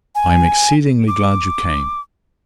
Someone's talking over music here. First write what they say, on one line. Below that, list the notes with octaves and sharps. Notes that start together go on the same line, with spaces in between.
I am exceedingly glad you came.
G#5
D6